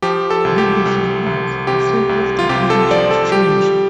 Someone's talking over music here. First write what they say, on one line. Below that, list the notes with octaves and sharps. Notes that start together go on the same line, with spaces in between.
When this happens, the site of the village is changed.
F3 G4
A4
C2
G4
C2
C2
C3 G4
C2
F4
C3 G4
A4
F3 D5
A4
G3 G4